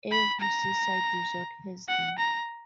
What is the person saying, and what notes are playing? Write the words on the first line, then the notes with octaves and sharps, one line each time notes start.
Every seaside resort has them.
B5
A#5
F#5
A#5